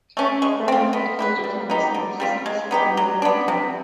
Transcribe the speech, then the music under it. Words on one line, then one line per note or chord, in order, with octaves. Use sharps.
Brien played collegiate tennis at Mississippi State University.
A3 C#4
G#3
C4 F4
B3
E4 G4 B4
G3
B3 D#4 G4
D3
G3 C4 F4
G#3
B3 D#4 G4
F#3
B3 D4
C3